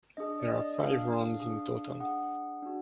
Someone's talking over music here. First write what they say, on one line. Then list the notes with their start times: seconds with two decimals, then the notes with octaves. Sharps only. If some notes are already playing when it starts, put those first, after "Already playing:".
There are five rounds in total.
0.17 D4 G#4 D#5
0.40 D5
0.48 D#5
0.78 D4 G#4 F5
1.40 D4 G#4
2.00 D4 G#4 F#5
2.63 D4 F#4